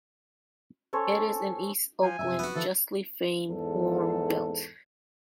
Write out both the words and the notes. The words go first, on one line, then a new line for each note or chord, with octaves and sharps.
It is in East Oakland's justly famed 'warm belt'.
C#4 A4 C5 C#5
F3 G#5
F#2 C3 E5
B3 F#4
D3 E3 F3 E4 A4
E2 G#2 A4